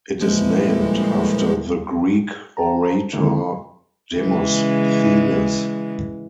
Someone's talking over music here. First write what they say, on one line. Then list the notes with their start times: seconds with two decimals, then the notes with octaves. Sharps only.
It is named after the Greek orator Demosthenes.
0.21 A#2 D3 E3 F3 G3 G#3 A#3
2.57 C5 A5 A#5
3.13 D3 D#3 G#3 A#3 E4
4.15 C#3 E3 G#3